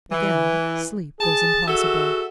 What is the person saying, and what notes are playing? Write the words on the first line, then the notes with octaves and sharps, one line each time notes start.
Again sleep was impossible.
E3
G#4 A5
F#4 G#4 A4 E5